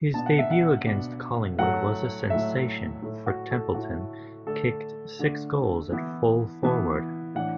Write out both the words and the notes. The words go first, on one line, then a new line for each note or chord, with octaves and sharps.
His debut against Collingwood was a sensation, for Templeton kicked six goals at full-forward.
B2 B3 D4 A5
F#5
E5
F#5
B2 B3 D4
A2 F#3 A3 F#5
A2 F#3 A3 E5
A2 A3 E4
F#4
A4
A2 A3 E4 F#4
D3 A3 D4 A4
D3 A3 D4
E3 B3 E4
E3 B3 E4
A2 E3 D4 F#5